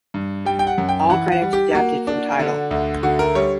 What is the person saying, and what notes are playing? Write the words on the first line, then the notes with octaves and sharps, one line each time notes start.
All credits adapted from Tidal.
G2
G3 G5
G5
F#5
F#2
G5
E3 F#5
F#5
G3
G4
A#3 F#4
D4
D3
D2
D3 F#4
A#4
G3 C#5